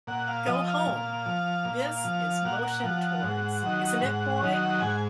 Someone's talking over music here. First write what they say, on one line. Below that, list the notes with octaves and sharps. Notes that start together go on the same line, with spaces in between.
"Go home", this is motion towards, isn't it, boy?
A#2 F#5
F5
F3 D#5
F5
A#2
F3
A#2
F3
A#2 F#5
F3
G#2
D#3 F#3
G#2
D#3 F#3
G#2 G#5